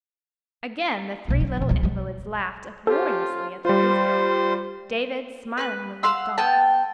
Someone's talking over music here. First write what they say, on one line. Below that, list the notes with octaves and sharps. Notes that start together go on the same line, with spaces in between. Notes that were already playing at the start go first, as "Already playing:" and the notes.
Again the three little invalids laughed uproariously at their visitor. David smilingly looked on.
B1 A#3
F#3
F2 B2
C#2 F#3
F#3 G#3
F3 C#4 F4 G4 A4
G3 F4 C5
B4 F6 F#6
F5 F#5 C6 E6
B3 G5 A5